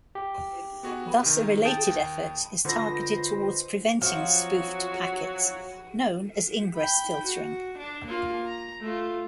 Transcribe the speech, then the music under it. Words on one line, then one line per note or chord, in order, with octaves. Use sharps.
Thus, a related effort is targeted towards preventing spoofed packets; known as ingress filtering.
G4
B3 F#4 G#4
C3 D#3
G5 A5 D#6
D#2
D3 F4 B4 C5 D#5 B5 A#6
F3 F#3 C4 F#4 F5
G5 B5
F#4
D4
A#3 F4
A#5
A3 F4